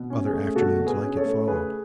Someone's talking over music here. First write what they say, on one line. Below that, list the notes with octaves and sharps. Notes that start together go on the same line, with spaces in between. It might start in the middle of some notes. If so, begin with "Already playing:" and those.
Other afternoons like it followed.
Already playing: B2
C#4
G#4
A3
B2 F#4 A4
B2
G#4 B4
C#4
A4 C#5
A3
C#3 G#4 B4